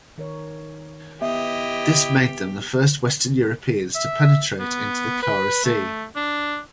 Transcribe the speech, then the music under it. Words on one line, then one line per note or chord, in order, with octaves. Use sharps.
This made them the first Western Europeans to penetrate into the Kara Sea.
D#3 A#4 C#5
B3 E4 G4 D#5 E5
E5
B3
B4
A3
D4